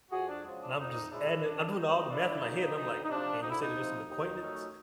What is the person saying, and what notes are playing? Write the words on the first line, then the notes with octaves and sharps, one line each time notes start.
and I'm just adding it I'm doing all the math in my head, and I'm like, "and you said it's just an acquaintance?"
F2 F#4 G#4
D4
C#3 F3 G#3
D4
F2 D#4
C#3 F3 G#3 D4 E4
F#2 D4
C#3 F#3 A#3 D4 D#4
F#2 D4 E4
E4
C#3 F#3 A#3 D4 D#4
D2 D#4
D#4
C3 F3 D4
D2 D#4
E4
D#4
C3 F3
D#2 D#4
D#3 F#3 A3 C#4